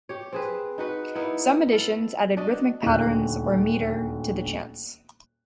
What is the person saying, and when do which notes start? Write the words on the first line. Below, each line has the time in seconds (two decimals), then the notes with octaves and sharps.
Some editions added rhythmic patterns, or meter, to the chants.
0.09 G4 C#5
0.33 C4 G#4 B4
0.78 D#4 F#4 B4
1.15 A#3 B3 D#4 E4
1.73 A4 F5
2.37 D4 F#4 D5 D#5
2.83 D#1 D2 F#6